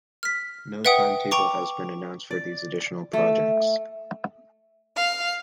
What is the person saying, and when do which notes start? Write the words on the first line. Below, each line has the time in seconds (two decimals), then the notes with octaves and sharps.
No timetable has been announced for these additional projects.
0.23 F6 B6
0.85 B4 E5 F#5 G5 D#6
1.31 G5 A#5 C#6 D6
2.31 D5
3.13 A3
4.95 F5